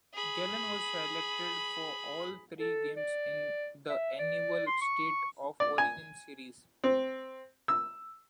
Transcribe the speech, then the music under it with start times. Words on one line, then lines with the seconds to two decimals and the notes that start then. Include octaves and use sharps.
Gallen was selected for all three games in the annual State of Origin series.
0.14 G#4 B5
2.60 A4
2.96 D5
3.89 E5
4.19 D5
4.67 C6
4.81 C#6
5.60 D5
5.78 G#5
6.84 C4
7.68 E6